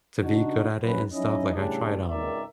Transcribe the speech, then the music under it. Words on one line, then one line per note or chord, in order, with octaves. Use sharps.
to be good at it and stuff, like, I tried, um,
C#3 D4 D#4 F#4
F#2 B4
F#3 C#4 D#4 E4 D#5
A2 C#3 G3 D4
G#1 C#2 D#3 A#4 D5 E5